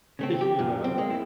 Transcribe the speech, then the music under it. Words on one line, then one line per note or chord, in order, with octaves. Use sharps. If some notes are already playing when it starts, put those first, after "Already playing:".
you know?
C#3 A3 C4
G4
F#2 A#2
C4
G#3 A#3
E4